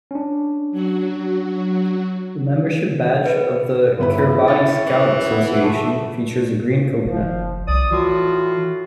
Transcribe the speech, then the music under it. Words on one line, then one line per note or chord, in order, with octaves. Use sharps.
The membership badge of the Kiribati Scout Association features a green coconut.
C#4 D4
F#3 F#4
B4
G1 E4 B4 B5
C#4 A6
E3
B3
A3
F#1 F3
C2 D5 D#6
A2 E3 F4 F#4